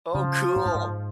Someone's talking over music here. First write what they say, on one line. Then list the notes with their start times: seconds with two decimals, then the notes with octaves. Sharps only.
Oh, cool!
0.14 C#3 F3
0.56 G#2
0.66 G2
0.75 G#2